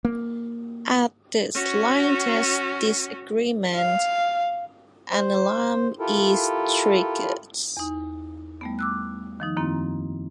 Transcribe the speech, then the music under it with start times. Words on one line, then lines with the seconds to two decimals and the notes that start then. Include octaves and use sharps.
At the slightest disagreement, an alarm is triggered.
0.05 A#3
1.54 C#4 F#4
3.75 F5
5.11 C5
5.99 E4 F4 G4 A4 A#4
7.77 E2 D#4
8.61 G3 A3 B3
8.79 D6 E6 F#6
9.40 D#3 F3 D#4
9.57 F#2 D#3 A#3 C4 E4